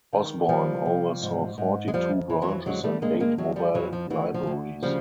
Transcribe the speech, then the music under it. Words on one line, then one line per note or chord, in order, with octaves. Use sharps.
Osborne oversaw forty two branches and eight mobile libraries.
D#3
E3 F3 G3
C3
G#2
G#2
G#3
F2 F3 G3
E3
E3 F#3
D3 F#3 G#3
G3 A3
G2 G#3 A#3
G#3 A#3
F2 F#3 G#3
F3 G3
F2 E3 F#3
F3
D2 E3
F3
D2
C#3 F3 G3